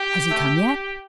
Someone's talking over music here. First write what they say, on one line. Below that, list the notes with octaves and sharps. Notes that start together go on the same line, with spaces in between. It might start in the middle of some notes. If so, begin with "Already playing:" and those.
"Has he come yet?"
Already playing: G4
A3